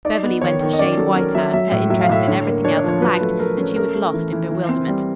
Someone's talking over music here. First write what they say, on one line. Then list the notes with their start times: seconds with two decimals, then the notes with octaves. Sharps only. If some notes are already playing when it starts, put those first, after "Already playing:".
Beverly went a shade whiter; her interest in everything else flagged, and she was lost in bewilderment.
0.05 D#4 D5
0.23 B3
0.41 D#3 C#5
0.61 D#3
0.73 D#5
0.79 C#4 D5
0.97 F#3 A4
1.16 C#4 A#4
1.35 F#3 E5
1.53 F#3 E5
1.71 A2
1.90 F#3 E5
2.01 F5
2.09 A2 E5
2.27 D3 C#5
2.46 A#3
2.65 D4 C#5
2.77 D5
2.84 F3 C#5
3.02 F#3 B4
3.20 A3
3.39 A3 A#4
3.58 C#4
3.76 A3 A#4
3.94 A3
4.14 E3
4.32 E3
4.51 E3
4.69 C4
4.88 G3